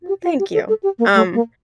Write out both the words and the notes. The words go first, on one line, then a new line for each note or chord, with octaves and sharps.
Mm, thank you. Um,
G4
F4
G4
A4
A4
G4
A#3
A3
A#3